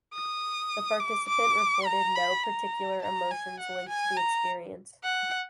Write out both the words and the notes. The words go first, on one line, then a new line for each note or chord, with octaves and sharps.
The participant reported no particular emotions linked to the experience.
D#6
D6
D6
A#5
B5
A#5
A#5
G#5
F#5
G#5
A#5
F#5